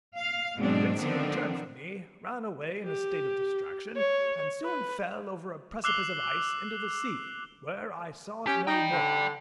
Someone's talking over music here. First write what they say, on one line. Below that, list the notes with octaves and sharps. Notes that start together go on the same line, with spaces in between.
It instantly turned from me, ran away in a state of distraction, and soon fell over a precipice of ice into the sea, where I saw it no more.
F5
G#2 B2 F#3 G#3 C4 D4
D3 D#3 F3 B3 C4 D4
G4
C#5
B4
D6 E6 F#6 C7 F7 G7
C#4 G4
D#4 D5 G5
D3